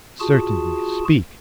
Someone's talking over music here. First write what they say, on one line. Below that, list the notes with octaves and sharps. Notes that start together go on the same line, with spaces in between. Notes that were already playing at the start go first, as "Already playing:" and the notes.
"Certainly, speak."
F4 F#4 G#4 A5